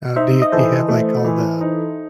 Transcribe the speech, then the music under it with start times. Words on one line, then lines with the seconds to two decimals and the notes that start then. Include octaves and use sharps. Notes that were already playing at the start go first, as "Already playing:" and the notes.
Uh, do you do you have, like, all the,
0.16 D#4 C5 E5
0.42 D#5
0.52 E3 A4 C5
0.88 A3
1.24 E3
1.61 D#4